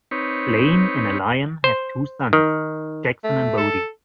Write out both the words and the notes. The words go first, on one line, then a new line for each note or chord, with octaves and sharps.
Blaine and Aliane have two sons, Jackson and Bodhi.
C4 D#4 B4 C#5
C5
D#3
A3
A4